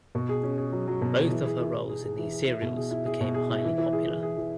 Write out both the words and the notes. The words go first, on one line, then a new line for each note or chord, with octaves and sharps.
Both of her roles in these serials became highly popular.
B2
G#4
C#4
G#4
F#3
F#3
B2
G#4
E3
G#4
E3
E3
G#4
G#4
E3
G#4
E4
B2
G#4
E4
G#4
B2
G#4
E4
E3
E3
G#4
E3
G#4
E3